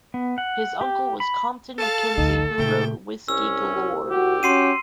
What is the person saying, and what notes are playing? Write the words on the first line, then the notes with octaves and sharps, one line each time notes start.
His uncle was Compton MacKenzie, who wrote "Whisky Galore".
B3
F#5
G4
B5
A4 F5 A5
A1 D2 D#4
A#2 C#3 A3 G5
C2 C#4 E6
F#4 G4
C#4 F#4 C6 C7 D#7